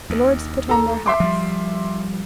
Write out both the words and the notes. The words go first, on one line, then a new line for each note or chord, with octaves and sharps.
The lords put on their hats.
D#2
A4 A#5
E5 C6 D6
F3 G3